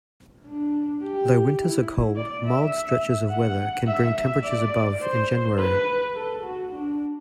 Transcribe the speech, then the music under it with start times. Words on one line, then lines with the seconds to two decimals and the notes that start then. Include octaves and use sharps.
Though winters are cold, mild stretches of weather can bring temperatures above in January.
0.46 D4
1.02 G4
1.59 E4
2.16 D5
2.45 E5
3.30 F#5
3.87 E5
4.16 E5
4.44 D5
5.01 C5
5.58 B4
6.16 A4
6.44 F#4
6.72 D4